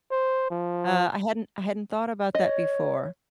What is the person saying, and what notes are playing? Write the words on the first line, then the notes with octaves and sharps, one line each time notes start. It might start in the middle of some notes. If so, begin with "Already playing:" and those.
Uh, I hadn't I hadn't thought about that before.
C5
F3
C#5 D#5